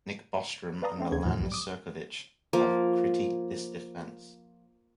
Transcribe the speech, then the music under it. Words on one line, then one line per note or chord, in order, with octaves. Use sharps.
Nick Bostrom and Milan Cirkovic have critiqued this defense.
B4 D5 F5 A5 A#5 D#6
C#3 A3 C4
D#2 C#3 G#4 G#6
E2 A2 D3 F3 F#3
B1 G#2 G3
D6 D#6
F3 A#3